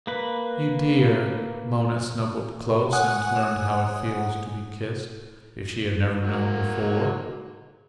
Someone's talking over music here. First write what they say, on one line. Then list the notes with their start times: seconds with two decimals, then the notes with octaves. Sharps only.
"You dear!" Mona snuggled close and learned how it feels to be kissed, if she had never known before.
0.07 A#3 B4
2.92 C#5 F#5 G#5 D#6 F#6
6.20 F#3 A#3